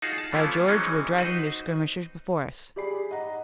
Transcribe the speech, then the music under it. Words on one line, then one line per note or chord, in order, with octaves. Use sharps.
By George, we're driving their skirmishers before us!
D#4 F4 F#4 G#4
A5
E3 F3 A3 C#4 E4 F4
E3 F#3 G#3 C4 C#4 D#4
D#4 F#4 B4 C5
G4 G#4 D5 B5 C7
D#5 F#5 A#5